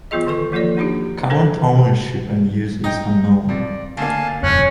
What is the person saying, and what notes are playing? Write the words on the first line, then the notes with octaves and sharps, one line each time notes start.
Current ownership and use is unknown.
E3 F#3 B3 F4 G#4 D#5
D3 D#3 A4 C#6
F3 A#3 F4 A4 D5
A#3 D4 D#4 F#4 G4
D4 A4 A#4 C5
D#4 G5
F2 D5
D2 A#3 F5 G#5 A5
E1 F#2 C#4 C#5 F#6